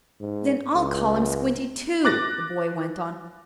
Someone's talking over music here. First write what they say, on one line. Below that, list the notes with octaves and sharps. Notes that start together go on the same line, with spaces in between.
"Then I'll call him Squinty, too," the boy went on.
G#2
C#2
D6 F#6 A6 A#6